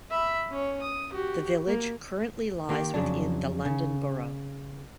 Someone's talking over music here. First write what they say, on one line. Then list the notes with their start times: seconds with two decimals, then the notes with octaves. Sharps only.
The village currently lies within the London Borough.
0.10 E5 B5
0.50 C#4 C#5
0.82 D#6
1.12 F#4 G4
1.67 A#3
2.69 D#3 A#3 G4
2.94 F2 C#3 F#3 D4
3.65 C#3